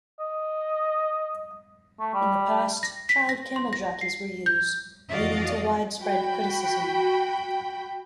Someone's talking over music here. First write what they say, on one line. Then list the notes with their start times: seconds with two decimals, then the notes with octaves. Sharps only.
In the past, child camel jockeys were used, leading to widespread criticism.
0.20 D#5
2.00 A3
2.14 G3
2.83 A#6
3.09 B6
3.29 A#6
3.56 C6
3.73 A#6
4.01 C7
4.46 G6
5.09 F2 E3 F#4 D5 D#5 F5
6.01 F#4 G5 B5